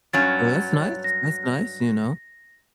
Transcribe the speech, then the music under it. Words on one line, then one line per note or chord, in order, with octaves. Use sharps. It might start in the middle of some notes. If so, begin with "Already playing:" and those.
Well, that's nice that's nice, you know,
G2 F#3 C#4 A6
A#6